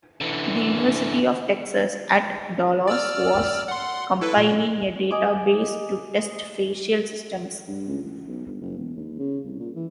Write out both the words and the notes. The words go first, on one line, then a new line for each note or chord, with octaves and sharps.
The University of Texas at Dallas was compiling a database to test facial systems.
D3 E3
D5 E6 F6
F#5 C6
E4 A4 B4
A#2
D#5 G#5 D6
G2
C#2
A1
B1
G1
F#1
E1
D#2
C#3
C2
A#2
E3